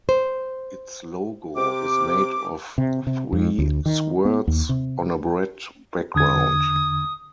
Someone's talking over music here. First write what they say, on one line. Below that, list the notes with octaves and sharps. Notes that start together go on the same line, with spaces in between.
Its logo is made of three swords on a red background.
C5
C3 D6
C3
C3
F2
D2
D#3
B3
D#2
C3
E2 D3 D#6 G#6